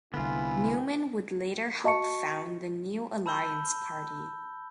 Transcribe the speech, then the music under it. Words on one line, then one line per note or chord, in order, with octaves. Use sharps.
Newman would later help found the New Alliance Party.
C2 D3 B3 E4 F4 G#5
F#4 D#5 A5 C#6 C#7
A5 B5 E6 G6 G7